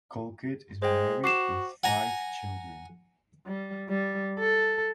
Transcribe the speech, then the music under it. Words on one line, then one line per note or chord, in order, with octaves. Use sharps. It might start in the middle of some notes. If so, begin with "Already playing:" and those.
Colquitt is married with five children.
G#3 C5 G5
F#4 D6 C7 E7
F#5 G#5 A#5
G3
G3
A4